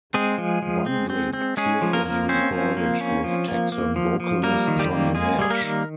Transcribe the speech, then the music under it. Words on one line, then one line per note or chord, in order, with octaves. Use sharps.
Bundrick toured and recorded with Texan vocalist Johnny Nash.
G#3 C4 G#4
F3
F3
C4
C4
C4
G#3 C#4 G#4
F3
A#3 A#4
A#3
C4 C#4 C5
F3
A#3
C#4
F3
A#3
A#3
F3
F3
G3 A#3 A#4
D#3
G3 G4
A#3
G#3 A#3 G#4
G3 G#4
A#3 A#4
D#3